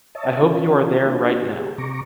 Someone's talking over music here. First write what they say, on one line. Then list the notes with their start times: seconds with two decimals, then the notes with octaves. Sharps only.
I hope you are there right now.
0.15 C#5 D#5 E5 A5
0.42 E3 C#4 F4
1.05 A#3 D4 F4 F#4
1.49 G4 G#4
1.78 C3 A#5 C#6 D6